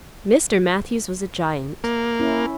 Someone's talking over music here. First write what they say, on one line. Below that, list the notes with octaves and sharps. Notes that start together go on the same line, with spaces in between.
Mr. Matthews was a giant.
A#3
C#4 E4